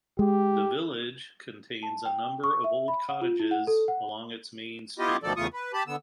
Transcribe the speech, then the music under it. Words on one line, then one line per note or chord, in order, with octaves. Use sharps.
The village contains a number of old cottages along its main street.
G#3 G4
A5
G5
C#6
E5
B5
F#5
F4
E4
F#5
A4
F#5
B3 E4 F4 G4 D#5
D2 B2 D#3 F3 A4 D5
E2 C#3 A3 F4 C#6 D#6
B4
G4 A5 B5
D3 B3 E6